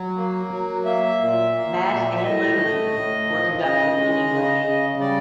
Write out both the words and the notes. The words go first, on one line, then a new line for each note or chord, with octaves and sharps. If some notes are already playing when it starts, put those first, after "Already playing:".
Mass and liturgy were conducted in English.
Already playing: F#3
A#3
F#3
A#3 E5
A#2
A#3
A#2
E5
A2 D#5
A3
A2
F3
C#3 D#5
G#3
C#3
C#3
G3 D5